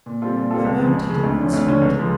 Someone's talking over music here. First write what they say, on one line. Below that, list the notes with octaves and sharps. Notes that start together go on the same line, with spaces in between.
For a moment he did not speak.
A#2
G3 C4 F4 A4
A#2
G3 C4 F4 A4
C#2
C#3 F3
C#2
C#3 F3
D2
D3 F3 A3 C#4
D2
D3 F3 A3 C#4
C#2
C#3 F3 G#3